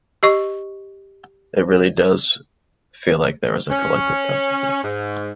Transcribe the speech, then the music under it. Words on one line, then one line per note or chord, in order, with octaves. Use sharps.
It really does feel like there is a collective consciousness.
G4 D#5 C#6
C#4
G#2